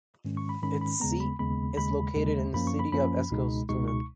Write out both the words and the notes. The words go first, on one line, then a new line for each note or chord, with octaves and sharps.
Its seat is located in the city of Eskilstuna.
G#2 D#3 G#3 C#4
C#6
B5
G#2 D#3 G#3 C#4 B5
B5
D#2 C#3 G#3 B3 A#5
B5
D#2 C#3 G#3 B3 B5
D#2 C#3 G#3 B5
D#2 C#3 G#3
F#2 F3 A#3 C#4 B5
C#6
B5
F#2 F3 A#3 C#4 B5
C#2 B2 G#3 D#4
C#2 B2 G#3 D#4 C#6
C#6